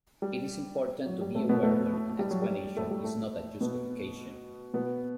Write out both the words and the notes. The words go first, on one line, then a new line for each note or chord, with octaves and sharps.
It is important to be aware when an explanation is "not" a justification.
G3
F#3
G3
A2 A3
B2 B3
A2 A3
G3
F#3
G3
A2 A3
G3
A2 A3
B2 B3
B2 B3